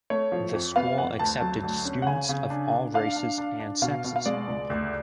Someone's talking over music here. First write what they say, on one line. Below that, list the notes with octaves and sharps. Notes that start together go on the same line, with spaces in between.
The school accepted students of all races and sexes.
A3 C#5
F3
F2
B3 F5
F2 F#5
D2 A5
F#3
D2
C#4
F#5
C#3 G#5
C#3
D4
D4
D4 F5
D4
D4
D4
B2 F5
B2
F5
G#3 D5
C#2
D2